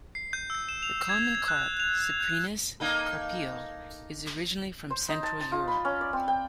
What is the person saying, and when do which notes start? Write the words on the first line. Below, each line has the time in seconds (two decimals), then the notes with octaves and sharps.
The common carp, "Cyprinus carpio", is originally from Central Europe.
0.15 C7
0.33 G6
0.50 E6
0.69 E7
0.83 F7
1.09 G#6
1.48 F#6
1.80 F7
2.20 G6
2.80 A#3 D#4 A4
4.90 C5
5.09 D#4
5.23 A5
5.40 A5
5.52 F4
5.68 B5
5.85 C#4
6.01 D5
6.13 C4
6.28 G5